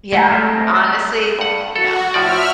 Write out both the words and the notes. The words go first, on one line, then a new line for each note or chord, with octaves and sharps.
Yeah. Honestly, no.
G#3 A3
A3 F4 E5 F5
C4 D#5
A#4 A5
G2 F#5
F#4 A4
A2 F3 D5 E5 F6